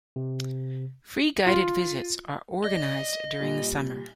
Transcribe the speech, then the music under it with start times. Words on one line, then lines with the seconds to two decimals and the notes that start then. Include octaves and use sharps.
Free guided visits are organised during the summer.
0.16 C3
1.47 F4
2.64 D5 D#5
3.40 A#2 G3